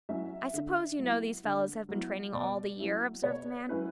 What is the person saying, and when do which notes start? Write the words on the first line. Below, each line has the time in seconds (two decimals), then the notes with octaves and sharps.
"I suppose you know these fellows have been training all the year?" observed the man.
0.09 F#3 C#4 E4 E5
0.54 D3
0.99 F#3 B3 E4
1.44 D3
1.89 F#3 B3 E4
2.34 B2 D5
2.79 F#3 C#4 E4
3.24 B2 C#5
3.69 F#3 C#4 E4 B4